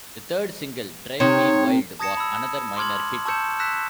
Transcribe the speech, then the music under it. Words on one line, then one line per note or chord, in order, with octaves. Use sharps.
The third single, "Drive Me Wild", was another minor hit.
C3 C4 D#4 C#5
A5 D#6 G#6 A#6 C#7 E7
B5 E6
C6 D6 F6 G#6 F#7
A5 C#6 E6 G6 C#7 E7
E6 F#6 A#6 B6 E7